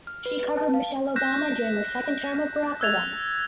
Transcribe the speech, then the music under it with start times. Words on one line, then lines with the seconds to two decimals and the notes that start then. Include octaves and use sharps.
She covered Michelle Obama during the second term of Barack Obama.
0.07 F6
0.26 B4
0.40 B4
0.57 A5
0.74 F5
1.16 F#6 G6 A#6 B6 E7
2.81 E6 F#6 G#6 A6 F7